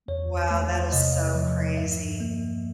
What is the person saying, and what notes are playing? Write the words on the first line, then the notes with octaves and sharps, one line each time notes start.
Wow. That is so crazy.
E2 C#5
A3
C3 D#5
F3
G2 E5
A#3